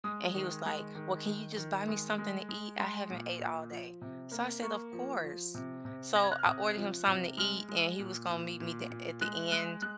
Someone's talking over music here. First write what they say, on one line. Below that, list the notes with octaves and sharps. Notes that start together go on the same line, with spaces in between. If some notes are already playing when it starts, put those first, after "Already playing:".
and he was like, "Well, can you just buy me something to eat? I haven't ate all day." So I said, "Of course." So, I ordered him something to eat, and he was gonna meet me the at the end,
G#3 D#6
D#3
G#3
D#3
D#3
D#3
G#3
G#3
G#3
G#3 C6
A#2
A#2
F3
C3
A#3
A#3 C#6
F3
F3
C3
C3
C3 A#6
G#6
F#6
F6
C3 D#6
F3
C3
G#3 F6
G#3
A#2
A#2
A#2
A#2
G#3 F#6
G#3 F#6
G#3 F#6